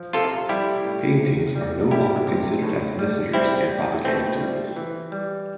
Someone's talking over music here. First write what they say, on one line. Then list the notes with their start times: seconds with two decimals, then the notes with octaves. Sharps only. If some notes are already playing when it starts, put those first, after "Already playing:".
Paintings are no longer considered as messengers and propaganda tools.
Already playing: F3
0.13 C3 F4 A4
0.49 G3 E4 G4
0.84 A2
1.20 C3
1.55 G3
1.91 G3 E4 G4
2.27 C3
2.63 A2
2.99 G3
3.33 G3 C4 E4
3.69 G3
4.05 B2 A3 C4
4.41 G3
4.76 E3
5.12 G3